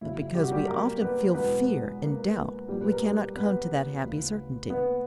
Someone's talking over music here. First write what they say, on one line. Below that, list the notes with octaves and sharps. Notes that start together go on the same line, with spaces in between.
But because we often feel fear and doubt we cannot come to that happy certainty.
F#1 F#2 C#3 F#3 E4
E4
G3 G4
F#4
G3 G4
A#3 A#4
B3 B4
E1 E2 D3 F#3 B3 B4
A#3 A#4
A#1 A#2 F#3 G3 G4
B4
A#4
G3 G4
B3 B4
D2 C#3 E3
B3 B4